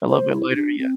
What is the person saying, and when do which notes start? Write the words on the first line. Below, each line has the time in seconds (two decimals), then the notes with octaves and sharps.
a little bit later. Yeah.
0.09 C5
0.33 E4
0.50 E4
0.55 D4
0.78 C4